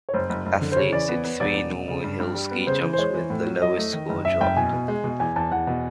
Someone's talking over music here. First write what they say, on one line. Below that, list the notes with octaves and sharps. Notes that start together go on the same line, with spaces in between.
Athletes did three normal hill ski jumps, with the lowest score dropped.
C#5
F#1 C5
F#1
F#1
D3
C5
C#3 C#5
E3 D5
B3
B3
E1 D5
E1
E1
C#3
G2
G2
G3
B3
C#3 C5
E3
C5
G#3 C#5
E3
A2
F#3
F#3 D#5
A3
D#3
F#1
F#2 E5
F#1 G5
B2 G#5
B2
G#3
B2
E2 G#5
E2 A5
E2 F#5
B2